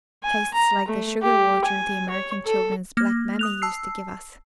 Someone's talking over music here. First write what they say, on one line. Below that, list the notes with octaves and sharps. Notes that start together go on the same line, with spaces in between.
"It tastes like the sugar-water the American children's black mammy used to give us."
G#5
A#5
A3
G4
G#5
C#5
A4
A#3 F6 A#6
D#6 F#6 F7
A5 E6 C7